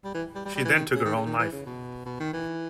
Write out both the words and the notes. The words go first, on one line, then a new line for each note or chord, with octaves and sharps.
She then took her own life.
G3
E3
G3
G3
G3
E3
D#3
C#3
D#3
C#3
D#3
E3
C#3
B2
B2
D#3
E3